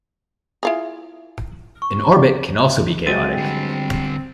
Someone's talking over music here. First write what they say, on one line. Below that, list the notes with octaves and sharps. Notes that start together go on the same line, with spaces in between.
An orbit can also be chaotic.
E4 F4 G#4
C#6
F#3 G#3 C4 A6 D#7
D3 G3